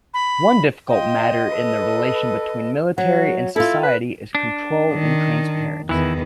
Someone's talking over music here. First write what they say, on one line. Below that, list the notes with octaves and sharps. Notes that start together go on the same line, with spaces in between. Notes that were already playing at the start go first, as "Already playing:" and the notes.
One difficult matter in the relation between military and society is control and transparency.
B5
F4 D#5 G5
A4 B4
F#3 F#4
E4 F4 A4
B4
D4
D#3
E2 D#3 E3 E4